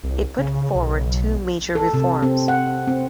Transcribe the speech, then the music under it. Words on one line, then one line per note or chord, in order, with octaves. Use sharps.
It put forward two major reforms.
C2
C#3
B1
A4
C3
C4
F#5
C4